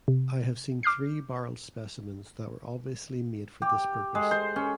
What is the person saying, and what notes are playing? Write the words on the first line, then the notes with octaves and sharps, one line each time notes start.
I have seen three barrelled specimens that were obviously made for this purpose.
C3
D6 F6 G6 C7
G4
G#3
C5
C#4